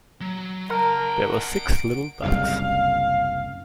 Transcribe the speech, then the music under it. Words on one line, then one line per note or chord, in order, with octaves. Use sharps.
There were six little ducks.
F#3
A#4 F#5 A5
D7
F#1 C2 G#2 F5